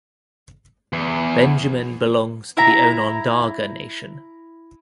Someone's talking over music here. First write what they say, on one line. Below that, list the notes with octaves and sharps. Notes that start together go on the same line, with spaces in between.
Benjamin belongs to the Onondaga Nation.
E2
E4 A#5